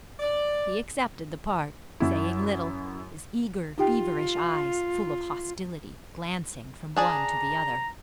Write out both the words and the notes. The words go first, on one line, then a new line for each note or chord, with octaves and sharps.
He accepted the part, saying little, his eager, feverish eyes, full of hostility, glancing from one to the other.
D5
F#2 E4
D#4 F4 G4 G5
D4 G#4 D5 A#5